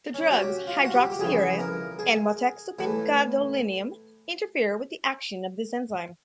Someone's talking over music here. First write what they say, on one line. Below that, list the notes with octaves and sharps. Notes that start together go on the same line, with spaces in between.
The drugs hydroxyurea and Motexafin gadolinium interfere with the action of this enzyme.
C#4
F#4
G4
F4
F#4
G4
G4
F2 C#3 E3 G#4
A#4
G#4
A2 E3 A3